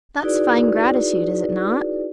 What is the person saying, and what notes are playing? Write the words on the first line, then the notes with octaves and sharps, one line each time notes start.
That's fine gratitude, is it not?'
D#4 E4 F#4 G#4 B4 D5